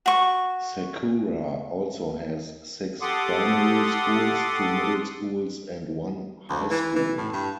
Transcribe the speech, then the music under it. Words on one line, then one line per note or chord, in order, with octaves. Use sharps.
Sakura also has six primary schools, two middle schools and one high school.
F#4 C#6
G4 A4 F#5 C6 D6 D#6
D2
E3
E3
A2
G2